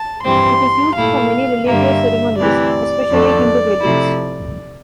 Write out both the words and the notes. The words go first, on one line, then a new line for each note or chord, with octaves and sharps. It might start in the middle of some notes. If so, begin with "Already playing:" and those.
It is used for many religious ceremonies, especially Hindu weddings.
Already playing: A5
G2 E3 G3 C4 C6
A#2 A3 E4 F5
G2 D3 G3 A#3 E5
D2 C3 E3 D5
F2 D3 A3
C3 F3 A3 E4